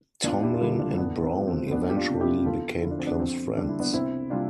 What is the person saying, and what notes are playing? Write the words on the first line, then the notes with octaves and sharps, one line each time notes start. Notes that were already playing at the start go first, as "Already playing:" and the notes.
Tomlin and Brown eventually became close friends.
E2 D4 F4
E4 G4
F4
D3 G3 E4 G4
D4 F4
A2 B3 D4
C4
F3
C4
C4
F2 B3 D4
G4
D4 F4
C3 F3
E4 G4
E2 F4 A4
D3 F3 E4
D4
C4
B3 D4
F2 C4
D3 G3 D4
E4
B3 D4
C2 C4 E4
C3 G3 D4 F4